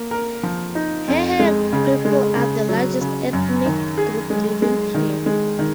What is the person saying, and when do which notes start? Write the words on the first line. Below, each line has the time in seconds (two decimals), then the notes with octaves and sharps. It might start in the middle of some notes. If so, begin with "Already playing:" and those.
Hehe people are the largest ethnic group living here.
Already playing: A#3
0.11 A#4
0.43 F3
0.75 D#4
1.08 F2
1.40 G#3
1.73 C#3
2.05 G#3
2.36 C#3
2.69 F#3
3.01 C#3
3.33 F#2
3.66 D#3
3.98 G#4
4.30 G#3
4.62 G#3
4.95 D#3
5.26 G#3
5.59 D#3